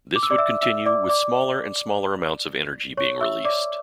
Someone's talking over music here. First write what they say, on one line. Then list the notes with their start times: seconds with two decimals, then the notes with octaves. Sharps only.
This would continue, with smaller and smaller amounts of energy being released.
0.16 D6
0.23 E6
0.30 D5 D6
0.38 E5 E6
0.62 E5 E6
0.86 D5 D6
1.09 D5 D6
2.97 C#5 C#6
3.21 E5 E6
3.45 D5 D6